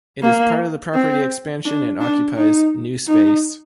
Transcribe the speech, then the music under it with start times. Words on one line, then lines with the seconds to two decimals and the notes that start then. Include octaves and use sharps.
It is part of the property expansion and occupies new space.
0.23 A#3
0.94 C4
1.65 D4
2.00 D4
2.36 D#4
3.07 D#4